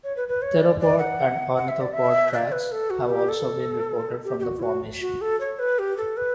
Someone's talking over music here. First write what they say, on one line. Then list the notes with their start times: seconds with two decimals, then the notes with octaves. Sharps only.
Theropod and ornithopod tracks have also been reported from the formation.
0.04 C#5
0.16 B4
0.28 B4
0.42 C#5
0.60 D5
0.80 D5
0.98 F#5
1.56 F#5
1.69 E5
1.81 D5
1.93 E5
2.33 D5
2.52 B4
2.72 A4
2.90 F#4
3.10 G4
3.29 A4
4.25 G4
4.40 G4
4.43 F#4
4.59 E4
4.63 F#4
5.01 F#4
5.21 A4
5.40 C#5
5.59 B4
5.79 G4
5.97 A4
6.17 B4